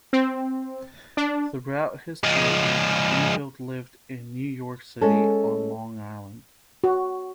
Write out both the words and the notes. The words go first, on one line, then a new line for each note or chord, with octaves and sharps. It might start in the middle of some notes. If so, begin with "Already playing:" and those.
Throughout his childhood, Greenfield lived in New York City, on Long Island.
C4
D4
F3 G#3
G#3 C#4 A4
F#4